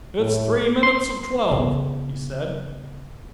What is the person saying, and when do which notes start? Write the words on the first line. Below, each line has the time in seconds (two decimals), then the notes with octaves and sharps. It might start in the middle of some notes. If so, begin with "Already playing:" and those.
"It's three minutes of twelve," he said.
0.19 A2
0.83 C6
1.51 C#3 B3